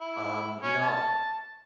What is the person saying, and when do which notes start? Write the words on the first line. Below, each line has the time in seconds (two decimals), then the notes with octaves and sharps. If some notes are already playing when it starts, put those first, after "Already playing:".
Um, you know
0.01 E4
0.63 C#4
0.82 A5